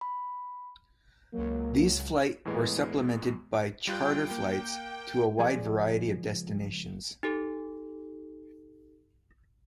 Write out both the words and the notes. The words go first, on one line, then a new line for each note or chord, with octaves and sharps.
These flight were supplemented by charter flights to a wide variety of destinations.
B5
C#2 F#3 A#3
E2 A2 E3 G#3 B3
G3 F4 G5 F#6
A#3
C#2 F3 G#4 D5 G#5
D#4 G4 A4